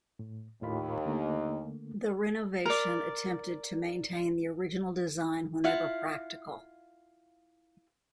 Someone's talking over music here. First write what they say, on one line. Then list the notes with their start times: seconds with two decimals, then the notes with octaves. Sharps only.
The renovation attempted to maintain the original design whenever practical.
0.19 A2
0.62 D#2 A2 F4 B5
1.06 D3 A3 A#3
2.66 A#4 D5
5.64 E4 F4 F5 F#5